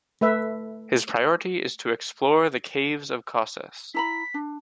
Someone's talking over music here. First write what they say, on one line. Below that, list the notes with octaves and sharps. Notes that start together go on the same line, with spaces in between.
His priority is to explore the caves of Causses.
A3 B4 E5
E4 A#5 B5 B6
D4